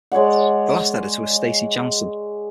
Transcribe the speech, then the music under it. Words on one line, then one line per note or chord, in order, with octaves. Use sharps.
The last editor was Stacey Janssen.
G#3 C#5 D5 F#5